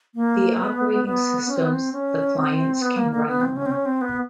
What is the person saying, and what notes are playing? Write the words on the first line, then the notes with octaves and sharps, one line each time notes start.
The operating systems the clients can run on.
A#3
B3
B3
C#4
C4
B3
C4
C#4
C4
B3
A#3
A#3
B3
C4
C#4
C4
C#4
C4
B3